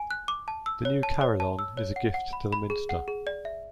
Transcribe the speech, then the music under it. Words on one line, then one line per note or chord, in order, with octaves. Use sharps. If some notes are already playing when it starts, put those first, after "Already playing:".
The new carillon is a gift to the minster.
Already playing: G#5
F#6
D6
A5
E6
C#5
A5
C#5
A5
E6
C#5
F#5
F#5
B5
B5
G#4
F#5
G#4
D5
E5